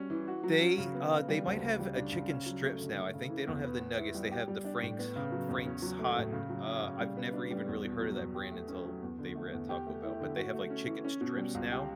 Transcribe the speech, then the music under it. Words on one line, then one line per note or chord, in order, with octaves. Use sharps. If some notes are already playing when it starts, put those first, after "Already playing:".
They, uh They might have a chicken strips now. I think they don't have the nuggets. They have the Frank's Ho Frank's Hot, uh, I've never even really heard of that brand until they were at Taco Bell, but they have, like, chicken strips now.
Already playing: G3 C#4 F#4
E3
F#4
F#3
C#4
C#3
B3
C#3
G3
D2
C#3
G3
D4
C#3
C#4
F#3
A3
D3
A3
C#3
E3
E2
B4
B3
E4
G3
G4
G3
D4
A2
B3
C#3
F#3
E2
C#4
F#3
A3
A2
C#3
F#3
C#4
C#3
G3
B3
D4
G3
E2
B2
F#3
E2
G4
A3
C#4
F#3
E2
D3
A3
E2
G4
A3
E4
D3
F#4
A3
C#4
E3
C#4
B2
G3
C#2
G4